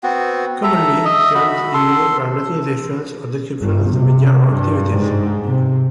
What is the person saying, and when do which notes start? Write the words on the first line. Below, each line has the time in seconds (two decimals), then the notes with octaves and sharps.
Commonly terms in use are Latinisations or of descriptions of the media or activities.
0.03 B3 C4 F#4
0.63 A4 E5 A#5
1.05 D#5 E5
1.35 F#4 B5
1.74 A4 C6
3.60 G1
3.90 C3
4.51 G2
4.92 G#2
5.46 C3